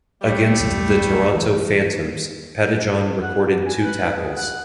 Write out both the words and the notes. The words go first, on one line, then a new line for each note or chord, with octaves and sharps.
Against the Toronto Phantoms, Pettijohn recorded two tackles.
G3 A3
B1 E2 G2
E3
F#5
G4
G#5
B4
G#4
F#5